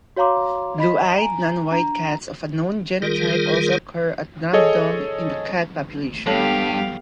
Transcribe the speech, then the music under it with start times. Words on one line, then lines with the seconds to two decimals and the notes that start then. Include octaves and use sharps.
Blue-eyed non-white cats of unknown genotype also occur at random in the cat population.
0.16 F#4 C#5 F5 A#5 C6 D6
0.78 D#5 B5 B6
1.18 G#5 A#5
1.72 D4 A#5
3.02 D#3 G3 F4 G#4 A#4
4.53 G#4 A4 C#5 D#5
6.26 G2 B3 G4 A4 C#5 F5 A5